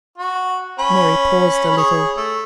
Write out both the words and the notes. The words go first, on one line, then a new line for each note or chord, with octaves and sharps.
Mary paused a little.
F#4
C#4 B5
G#4 C#5
A3